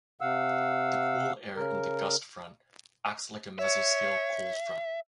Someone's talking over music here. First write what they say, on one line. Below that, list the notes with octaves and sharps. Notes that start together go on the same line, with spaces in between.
The cool air in the gust front acts like a mesoscale cold front.
C3 F5 F#5 E6
C#3 A#4
C#5 E5